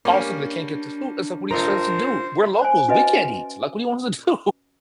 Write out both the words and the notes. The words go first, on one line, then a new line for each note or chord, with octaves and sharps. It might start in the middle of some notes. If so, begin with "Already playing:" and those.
all of a sudden they can't get the food. It's like, what do you expect us to do? We're locals, we can't eat, like, what do you want us to do?
G3 A#3 C#4 D4
G#1 F4 A#4 C5 D#5 A#5
C5 G#5
C#4 F#4 B4 D#5 E5 G#5